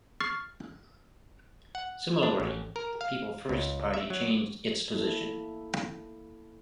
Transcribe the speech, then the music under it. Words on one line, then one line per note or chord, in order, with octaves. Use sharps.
Similarly, the People First Party changed its position.
C#6 F6 A6 C7
F#5
D4
A1
A#4
F5
C#2
E5
F#3
A#3 E4 A4